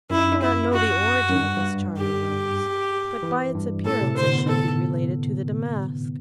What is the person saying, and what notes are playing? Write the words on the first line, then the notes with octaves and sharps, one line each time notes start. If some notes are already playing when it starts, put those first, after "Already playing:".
I do not know the origin of this charming Rose, but by its appearance it should be related to the Damask.
F#2 E4
E4
F#4
F#2
G2
G2
G4
E3
G2
A2 A4
C3
D3 C5
B3
A4